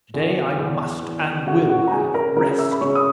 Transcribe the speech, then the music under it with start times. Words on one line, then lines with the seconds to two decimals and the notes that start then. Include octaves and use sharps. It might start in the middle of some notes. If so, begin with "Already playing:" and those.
To-day I must and will have rest.
0.14 E2
0.58 E2
1.03 E2
1.47 C#3 F#4 F#5
1.70 F#4 F#5
1.87 A#5
1.92 C#3 G#4 G#5
2.14 A#4 A#5
2.37 C#3 A#4 A#5
2.59 E5 E6
2.71 B5
2.81 C#3 C#5 C#6
2.95 D#6